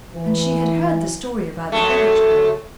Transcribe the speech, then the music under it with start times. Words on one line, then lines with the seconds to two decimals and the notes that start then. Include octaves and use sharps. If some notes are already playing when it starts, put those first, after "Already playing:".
And she had heard the story about the village girl.
0.14 E3
1.72 F#2 A3